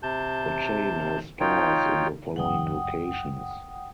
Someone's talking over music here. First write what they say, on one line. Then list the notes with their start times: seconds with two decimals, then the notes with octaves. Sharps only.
The chain has stores in the following locations.
0.03 C3 A5 G6
1.40 D#4 F4 C#5 G5
2.36 G1 C#2 F#2 F#5 G5 D#6